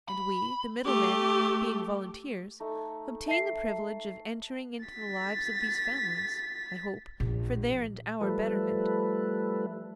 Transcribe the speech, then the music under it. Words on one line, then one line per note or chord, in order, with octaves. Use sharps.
And we, the middlemen, being volunteers, obtain the privilege of entering into the lives of these families, I hope, for their and our betterment.
B5
A3 G4
A3 D#4
E5 A5 C7
A6 B6
A#1
F3 G3 A3 A4 B4